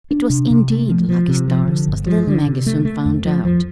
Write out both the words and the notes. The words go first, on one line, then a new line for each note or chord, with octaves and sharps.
It was, indeed, "lucky stars," as little Maggie soon found out.
D4
C3
C3
A3
F3
F3
C3
F3
D3
G1
F3
D3
C3
A3
A3
F2
F3
F3